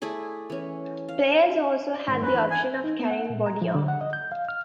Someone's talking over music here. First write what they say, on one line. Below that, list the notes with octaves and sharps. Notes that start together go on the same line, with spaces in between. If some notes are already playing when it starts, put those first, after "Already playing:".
Players also had the option of carrying body armor.
A3 E4 G#4 D5
E3 C#4
F5
D5
G#2 D#3
F#2 C#4 B4 A#5
E3 D4
G#5
D#4
B3
F#5
A#2
A#5
F3
D3
F#5
D#5
G6
F5
F6